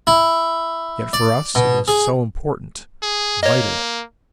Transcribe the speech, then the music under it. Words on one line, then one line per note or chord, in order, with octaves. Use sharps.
Yet for us, it was so important! Vital.
E4
D5
B2
G#4
G#4
A#3 C#5 D#5